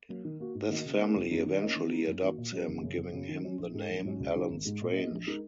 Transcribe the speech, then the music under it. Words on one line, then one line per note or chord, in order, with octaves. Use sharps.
This family eventually adopts him, giving him the name "Allen Strange".
F#3 A#3
D#3
A#3 F#4
G#2
D#3 A#3 F#4 D#5
C#3
A#3 C#4 G#4
F#1
F#2 F#3 D#4
D#3
A#3 C#4 A#4 D#5
D#3
G#3 D#4
F#2
D#3 A#3 F#4
A#2
F#3 C#4 A#4
F#1
F#2 C#3
F#1
F#2 C#3 F#3
D#3
F#3 C#4
A#1
G#2 G#3 D#4
A#1
G#2 F#3 C#4 F#4
C#2
C#3 F#3 D#4
G#1
G#2 G#3
A#2
A#3 F#4 D#5
A#1
G#3 D#4 A#4